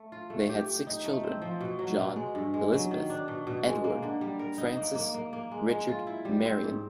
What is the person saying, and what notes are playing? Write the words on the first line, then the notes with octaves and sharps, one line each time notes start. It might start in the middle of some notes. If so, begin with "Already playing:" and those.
They had six children: John, Elizabeth, Edward, Frances, Richard and Marion.
Already playing: A3
F4
A3
G4
G4
D#4
A3
C4
F3
B2
F#3
B2
G#3
G2
G#3
F#3
D#3
D4
B2
B2
G#3
A#3
D3
G3
A#4
D#4
A#3
A#3
A#3
A#3
G#3
G#3
F4
E4
G3
C4
G#2